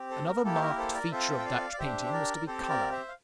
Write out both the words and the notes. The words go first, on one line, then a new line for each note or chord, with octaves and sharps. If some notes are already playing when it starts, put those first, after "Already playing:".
Another marked feature of Dutch painting was to be color.
Already playing: C4 G4
A4 C5
A#4
A#3 E4 G4 A4
C5
A#4
A4 C5
A#4 D5
C4 F4 A4 C5 E5
G5
D5 F5
D5
D4 G4 C5 E5
C5
A#4 D5
C4 G4 A4 C5
A#4 D5
C5 E5
F5